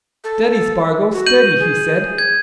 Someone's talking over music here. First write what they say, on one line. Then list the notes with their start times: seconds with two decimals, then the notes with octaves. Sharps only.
"Steady, Spargo, steady!" he said.
0.24 A4
1.13 F#4
1.26 G6 D#7 F#7
1.59 G#4
2.18 G#6